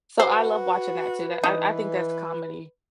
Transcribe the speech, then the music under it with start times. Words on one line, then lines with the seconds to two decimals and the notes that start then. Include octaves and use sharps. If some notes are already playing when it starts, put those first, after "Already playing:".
So, I love watching that too that I I think that's comedy.
0.20 F#4 B4 C5
1.44 E3 D#4